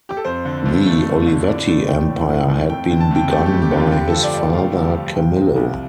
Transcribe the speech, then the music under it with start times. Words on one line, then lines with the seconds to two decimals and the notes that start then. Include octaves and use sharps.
The Olivetti empire had been begun by his father Camillo.
0.09 G4
0.17 A4
0.25 F2 C5
0.45 D3
0.65 F2
0.86 A3
1.06 F2
1.26 D3
1.47 A2 D5
1.67 A3
1.88 A3 G5
2.08 A2
2.29 A2
2.49 A3
2.70 F2 G5
2.85 G5
2.90 D3
3.00 A5
3.11 F2 G5
3.31 A3 G4
3.46 G4
3.51 F2
3.62 G4
3.72 D3
3.77 F4
3.92 G2 G4
4.08 F3 A4
4.23 D5
4.33 G2 D5
4.53 A3 F5
4.75 G2
4.94 F3
5.15 C2 G5
5.35 C3
5.56 C2